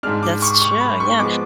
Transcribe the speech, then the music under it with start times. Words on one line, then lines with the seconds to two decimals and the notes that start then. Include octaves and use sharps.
that's true, yeah,
0.03 G#2 G#3 D4 F6
0.23 D6
0.42 C#6
0.62 C#6
0.80 B5
1.00 C#6
1.19 F3 G#3 B3 D6